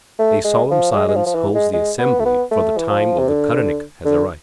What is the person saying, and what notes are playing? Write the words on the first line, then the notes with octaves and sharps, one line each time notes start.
A solemn silence holds the assembly, for the time of the Karanika has arrived.
A3
G#3
F3
F3
G#3
G#3
F3
F3
E3
G#3
G#3
B3
A3
B3
A3
E3
F3
C3
D3
D3